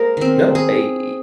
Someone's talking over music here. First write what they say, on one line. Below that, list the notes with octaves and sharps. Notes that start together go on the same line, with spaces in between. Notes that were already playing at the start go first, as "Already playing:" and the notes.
No, a th
Already playing: G#3 A#3 A#4 C5
D#3 C4
G#4